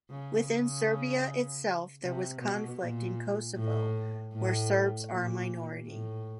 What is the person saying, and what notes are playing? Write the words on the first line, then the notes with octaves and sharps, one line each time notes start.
Within Serbia itself there was conflict in Kosovo, where Serbs are a minority.
C#3
C#3
C3
B2
A#2
A2
A2
A#2
A2